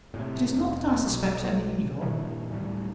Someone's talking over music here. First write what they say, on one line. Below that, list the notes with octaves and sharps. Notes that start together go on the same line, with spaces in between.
It is not that I suspect any evil.
A2 C3
F1
B1
G2 A#2 D#3 E3
D1 A2 G3